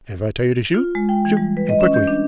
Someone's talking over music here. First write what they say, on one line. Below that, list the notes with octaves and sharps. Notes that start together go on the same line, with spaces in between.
If I tell you to shoot--shoot, and quickly.
F4
G#3
G5
E3
G3
B4
D#5
C#4
G6
D4